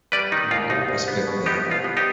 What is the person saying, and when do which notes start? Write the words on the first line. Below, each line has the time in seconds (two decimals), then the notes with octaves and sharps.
And I didn't respect that.
0.12 G3 B4 D5
0.32 D#3 D#4
0.51 D#2 F4
0.70 C2 D#4
0.88 C2
1.08 B3
1.27 B2
1.46 B3 D#4 G4
1.65 C2
1.71 F4
1.84 B3
1.97 D#4 G4